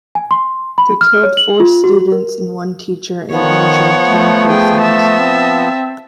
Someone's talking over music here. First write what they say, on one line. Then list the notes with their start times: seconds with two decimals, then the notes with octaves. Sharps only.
They killed four students and one teacher, and injured ten persons.
0.15 G#5
0.31 C6
0.78 B5
1.01 F6
1.23 C#5
1.37 F#7
1.60 F4
1.84 F#4
2.12 A#4
3.33 D#3 F3 B3 C#5 F#5
4.07 A3
4.48 G#4 G5
4.81 E5 A5
5.19 C4